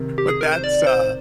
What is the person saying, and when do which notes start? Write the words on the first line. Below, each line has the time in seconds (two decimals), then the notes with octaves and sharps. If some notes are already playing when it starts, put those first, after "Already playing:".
but that's, uh
Already playing: C3 D#3
0.18 G4
0.29 G#4
0.41 A#4
0.52 C5
0.64 D5
0.87 C5